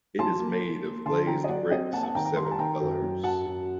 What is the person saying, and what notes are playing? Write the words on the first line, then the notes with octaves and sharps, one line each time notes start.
It is made of glazed bricks of seven-colors.
F#3 A5 C6
A#3
A#3
A#3
D3 A5 C6
F#3 G5 A#5
D#5
F#3 D5 F#5
C4 D#5 G5
A#3 F#5 A5
F#5 A5
D#3 G5 A#5
G5 A#5
G3 C6
A#5
A5
D#3 G5 A#5
F#2
F#3
F#2 F#5 A5
F#2